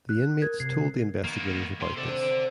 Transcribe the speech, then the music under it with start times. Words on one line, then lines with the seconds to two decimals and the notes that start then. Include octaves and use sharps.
The inmates told the investigators about this.
0.09 F#6
0.42 A#4 G#6
0.60 C3 C7
1.24 D#3 A#3 B3
1.80 C3 C6
1.97 C3 A4 D5